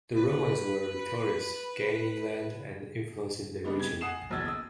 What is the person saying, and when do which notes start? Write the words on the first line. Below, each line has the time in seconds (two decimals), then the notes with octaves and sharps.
The Romans were victorious, gaining land and influence in the region.
0.16 B4 B5
3.64 C#3 G3 G#3 B3 D4 D#4
3.80 C3 G#6
4.01 F#5 G#5 D#6 C7 E7
4.30 F#1 B1 E2 E6 G#6 A6
4.45 D#6 E6